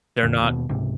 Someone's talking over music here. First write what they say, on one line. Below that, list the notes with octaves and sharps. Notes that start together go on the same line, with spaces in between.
They're not
F2 A#2 D3
D#2 B2
C#2 G#2 C3